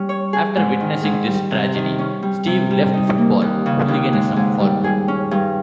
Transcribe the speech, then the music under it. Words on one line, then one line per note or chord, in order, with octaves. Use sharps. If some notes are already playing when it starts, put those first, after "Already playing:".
After witnessing this tragedy, Steve left football hooliganism for good.
Already playing: G3 C#4
C#5
G#4
G#2
D#3
G#2
G3
C3
D#3
C#4
G3
C3
G3
D#4
A#3
D#2
C#3
D#2
G#3
G#2
G3
G#4
C#4
G2